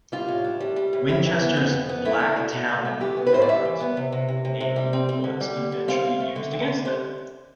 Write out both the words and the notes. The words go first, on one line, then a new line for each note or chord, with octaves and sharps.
Winchester's "Black Talon" product name was eventually used against them.
G3 F4
A2
D4
G3
G3
A2
F2 E4
E3
B3
F2
F2
B3
A3 E4
D4
B2
B2
B2
A3
E3 G4
B3
B4
A2 C5
D5
G3 E5
E3
B3
C3
C3
C3
C3
C3
G3
C4
C4
D3
G3
D3
G3
C4 F5
C4
A3
D3
C4
D3
G3 C5